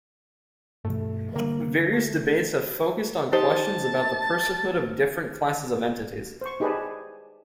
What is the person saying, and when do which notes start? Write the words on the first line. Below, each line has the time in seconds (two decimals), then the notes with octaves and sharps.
Various debates have focused on questions about the personhood of different classes of entities.
0.85 G2 B2 E3 A3
1.36 D3 G3 A#3
1.93 A3
3.33 D#4 G4 C5 A5
6.41 C5 C#6
6.60 D#4 G4 G#4 B4 D5 A5